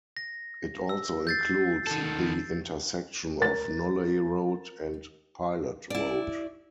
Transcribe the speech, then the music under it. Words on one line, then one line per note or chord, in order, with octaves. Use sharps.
It also includes the intersection of Nolley Road and Pilot Road.
A#6
E6
G6 A6 C7
D#3 A4
A#4 A6
E4 D5